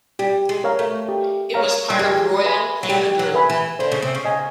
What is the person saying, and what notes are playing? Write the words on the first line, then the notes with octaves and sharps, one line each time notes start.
It was part of Royal Unibrew.
G3 G4
G#3
A#4 C#5 F5 A#5
A3
G4
A#4 C#5 F5 A#5
G3
G#3 G4
B4 E5 G#5 B5
F#3
G3 G4
F#3
B4 E5 G#5 B5
E3
D3 C5
C#3
C3
C#3
D#5 G#5